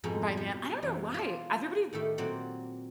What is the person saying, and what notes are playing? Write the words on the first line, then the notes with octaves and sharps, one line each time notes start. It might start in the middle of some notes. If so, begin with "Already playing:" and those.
by then I don't know why, everybody
F2 G#2 B2 D#4 F4 G#4
G3
F#2 E3
F4 D5
A2 D#3 G4 A4 E5
A#2 F#3 C4 D5 F#5